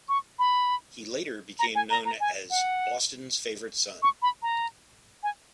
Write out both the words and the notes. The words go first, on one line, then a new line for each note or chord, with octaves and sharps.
He later became known as 'Boston's Favourite Son'.
C#6
B5
A#5
G#5
A#5
A#5
G#5
F#5
C#6
B5
A#5
G#5